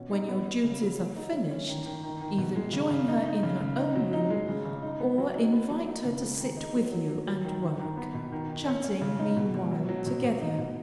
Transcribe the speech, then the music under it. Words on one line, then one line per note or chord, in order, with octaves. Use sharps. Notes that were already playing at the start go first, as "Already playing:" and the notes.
When your duties are finished, either join her in her own room, or invite her to sit with you, and work, chatting, meanwhile, together.
Already playing: B2 C#4
D#4
B3
B3
C#3
F#3
F#3
D#4
C#4
C#4
D#3
D#3
D#3
D#3
B2
G#3
C#3
C#3
D#4
D#4
C#3
C#3
D#4
F#3
D#4
G#3
C#3
C#3
D#4
B3
F#3
D#4
B3
F#3
D#4
C#3
G#3
D#3
D#4
F#3
F#3
F#3
F#3
D#3
D#3
D#3
B3
B2
D#3
D#3
C#4
C#4
C#3
D#4
B2
B2
F#3
F#3
B2
B2
D#4
B2